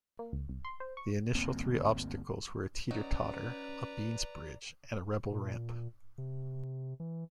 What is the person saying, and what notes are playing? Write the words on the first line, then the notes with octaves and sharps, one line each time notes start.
The initial three obstacles were a Teeter-Totter, a Beanz Bridge, and a Rebel Ramp.
A#3
C#2
C2
C6
C5
C#6
G1 D2 A#3 C4
F#3 C#4 D#4 B4 D5 A#5
A#2
C3
E3